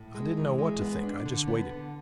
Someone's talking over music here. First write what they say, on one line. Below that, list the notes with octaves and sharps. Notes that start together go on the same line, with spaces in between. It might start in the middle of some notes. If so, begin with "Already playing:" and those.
I didn't know what to think; I just waited.
Already playing: A2
G#3
E3
G#3
B3
D4
D3
B3
D3